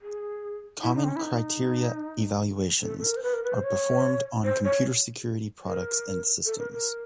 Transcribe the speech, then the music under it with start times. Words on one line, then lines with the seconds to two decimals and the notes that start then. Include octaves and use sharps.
Common Criteria evaluations are performed on computer security products and systems.
0.01 G#4
0.82 E4
0.95 D#4
1.04 C4
1.09 C#4
1.16 E4
1.22 D#4
2.83 A4
2.98 A4
3.04 A#4
3.16 C5
3.23 B4
3.33 A#4
3.44 B4
3.53 C5
3.63 C#5
4.44 C5
4.64 C#5
5.65 A#4
6.45 A4
6.59 A#4
6.72 A#4